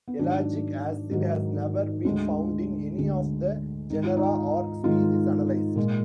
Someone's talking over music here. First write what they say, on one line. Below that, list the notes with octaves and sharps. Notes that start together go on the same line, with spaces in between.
Ellagic acid has never been found in any of the genera or species analysed.
B3
G#2 D#3 F#3 D4
G#2 D#3 F#3
D2 D3 G#3
D2 D3 G#3
G#2 D#3 G#3 D#4
F4
D#4
G#2 D#3 G#3 F4
A#2 G#3